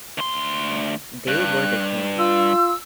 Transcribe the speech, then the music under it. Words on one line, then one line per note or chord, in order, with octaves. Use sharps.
They were declined.
D2 C6
G2 F#6
F4 E6